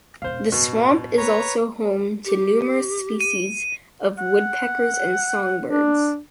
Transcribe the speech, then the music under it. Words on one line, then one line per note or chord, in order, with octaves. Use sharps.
The swamp is also home to numerous species of woodpeckers and songbirds.
E1 A#2 C5 F5
A1 F#2 B2
D#2 B4 C#5 A#5
G4
D#7
F#5
D4